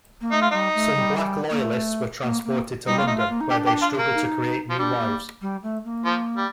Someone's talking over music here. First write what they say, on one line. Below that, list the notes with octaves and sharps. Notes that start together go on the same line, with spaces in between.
Some Black Loyalists were transported to London, where they struggled to create new lives.
A#3
A3 D#4
F4
G3 D#4
A3
G3
A#3
A3
A#3
A#3
G3 D#4
A#3 F4
A3 D#4
F4
A#3
D#4
D4 G4
G4
F4
A#3
D#4
F3
G3 D4
A#3
G3
A3
A#3
F3
G3